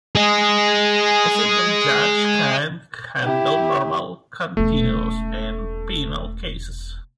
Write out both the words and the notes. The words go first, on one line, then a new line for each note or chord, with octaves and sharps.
A single judge can handle normal contentious and penal cases.
G#4 D#5
E4 G4
E1 A3 C#4